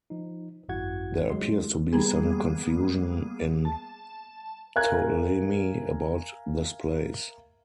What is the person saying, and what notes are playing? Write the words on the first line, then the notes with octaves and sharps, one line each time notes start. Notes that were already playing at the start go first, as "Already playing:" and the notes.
There appears to be some confusion in Ptolemy about this place.
F3 D#4
G#1 F#2 E4 F#4 F#5 G#6
F#3 G#3 C6
G3 A#3 B3 G#4
A5
A#4 E5 F5 G#5 F#6 G#6